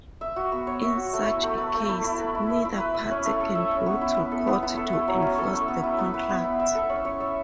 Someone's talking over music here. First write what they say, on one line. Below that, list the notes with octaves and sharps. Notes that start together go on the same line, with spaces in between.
In such a case, neither party can go to court to enforce the contract.
E5
F#4
B3
C#5
E5
F#4
A3
E4
A3
B4
A3
E4
E4
B4
E4
E5
E4
B4
E5
C#4
A3
A4
E5
C#4
B3
E4
B3
A4
B3
E4
A4
A3
F#3
C#4
A4
A3
B3
E4
B3
B4
B3
E4
E5
A4
C#4
C#5
E5